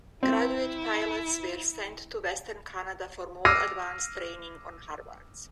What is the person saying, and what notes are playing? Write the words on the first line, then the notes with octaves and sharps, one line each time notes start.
Graduate pilots were sent to western Canada for more advanced training on Harvards.
C4 E4
D6 E6 F6 A#6 C7 D#7